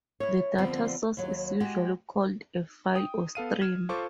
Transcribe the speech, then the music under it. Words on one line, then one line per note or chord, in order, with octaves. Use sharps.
The data source is usually called a file or stream.
E4 C#5
D3 F3 G3 B3 C4
D#2 F#3
G#3 F#4 G4
G5 D#6
B3 A4 F5 D#7
F6 G#6 E7
F4 A4 C5 C#6 D6